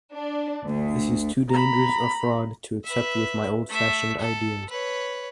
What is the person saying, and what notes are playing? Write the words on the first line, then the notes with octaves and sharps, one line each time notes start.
This is too dangerous a fraud to accept with my old-fashioned ideas.
D4
D2
A#5 B5
B4 E5
A3 E5
A4
B4 C#5